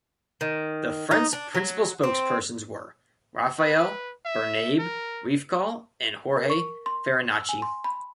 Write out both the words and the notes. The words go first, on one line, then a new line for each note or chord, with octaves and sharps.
The Frente's principal spokespersons were Rafael Bernabe Riefkohl and Jorge Farinacci.
D#3
D#4
D4
F#3
C4
B4
E5
A#4
A#4
C#6
C6
E6
G#5
C6
B5